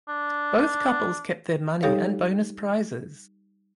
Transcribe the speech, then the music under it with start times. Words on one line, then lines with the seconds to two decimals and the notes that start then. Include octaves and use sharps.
Both couples kept their money and bonus prizes.
0.09 D4
1.83 G3 D#4 G4 A4 C#5 F5